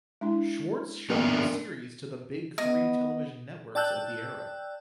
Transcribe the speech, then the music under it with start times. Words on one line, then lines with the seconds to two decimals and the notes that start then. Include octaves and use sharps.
Schwartz shopped the series to the "big three" television networks of the era.
0.21 G#3 D4 E4
1.10 A#3 B3 C#4 D4 A#4
2.58 B3 D#5
3.75 D5 G5 A5 E6 F#6 G6